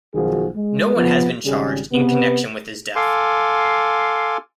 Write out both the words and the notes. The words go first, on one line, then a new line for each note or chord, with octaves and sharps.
No one has been charged in connection with his death.
B1 D#3 F3 F#4 G#4
G#3
F3 B3
G#1 C#3 G3 G#4
C3 B3
A4 F5 G#5 C6 D6